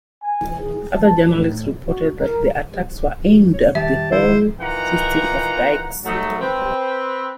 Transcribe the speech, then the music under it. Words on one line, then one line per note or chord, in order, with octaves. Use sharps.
Other journalists reported that the attacks were "aimed at the whole system of dikes".
G#5
G#4
A5
A2
F#4
A#4
C#5
D#3 G3 G4 E5 A5
E4 C5
D#3 E3 D#4 F4 F#5 A#5
F#3 A3 D#4
C4 B4